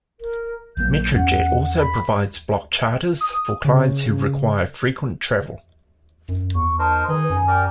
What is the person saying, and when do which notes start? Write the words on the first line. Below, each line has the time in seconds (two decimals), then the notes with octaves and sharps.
Metrojet also provides block charters for clients who require frequent travel.
0.20 A#4
0.77 A#1 F#3 A#3 G6
1.15 E2 C#4 F#5
1.79 B5
3.21 D#6
3.65 C#3
6.29 F#2
6.55 E2 C#6
6.79 D#4 A#4 C5 A5
7.08 D#3 D#4 G#4 B4 D#5
7.30 F#2 G#5
7.48 G4 A#4 D5